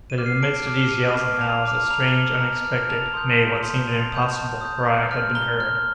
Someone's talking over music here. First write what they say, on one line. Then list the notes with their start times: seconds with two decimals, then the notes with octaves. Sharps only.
But, in the midst of these yells and howls, a strange, unexpected--nay what seemed an impossible--cry had been heard!
0.10 D#7
0.18 D6 F6
0.26 C7
0.43 A5 D7
0.67 D6 F6
0.92 A5 D#7
1.17 D6 F6
1.41 A5 F7
1.65 D6 F6
1.91 A#5 F7
2.15 F6
2.40 A#5
2.65 F6
2.89 A5 F7
3.14 C6 D#6 G6
3.39 A5
3.63 C6 D#6 G6
3.87 A5 F7
4.12 D#6 G6
4.37 A5
4.61 D#6 G6
4.86 A#5
5.11 F6
5.35 A#5 G7
5.60 F6